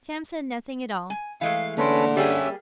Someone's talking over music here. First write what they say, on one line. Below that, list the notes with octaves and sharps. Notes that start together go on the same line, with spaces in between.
Sam said nothing at all.
G#5
E3 G#3 A3 F5
D3 A#3 C#4 A4 B4 C6
G3 A#3 C#4 G4 G#4 C#5 E5